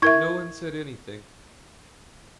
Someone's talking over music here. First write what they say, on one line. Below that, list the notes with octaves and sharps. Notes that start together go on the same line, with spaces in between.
But no one said anything.
E4 A#4 E5 C#6 G#6